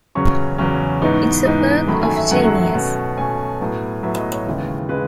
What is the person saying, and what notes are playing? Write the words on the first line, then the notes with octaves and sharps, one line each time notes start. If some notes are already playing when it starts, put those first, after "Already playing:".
It's a work of genius.
E2 C#3 F#3 C#4 C#6
E2 C#3 F#3 C#4
G#2 E3 B3 D#4 C#6
G#2 E3 B3 D#4
F#2 D#3 F#3 A3 B5
G#5
E5
F#2 D#3 F#3 A3 F#5
B2 A3 C#4
B2 A3 C#4 G#5
A2 F#3 B3
A2 F#3 B3 E5
D#5
C#5
D#2 C#3 E3 G#3
C#3 E3 G#3 B4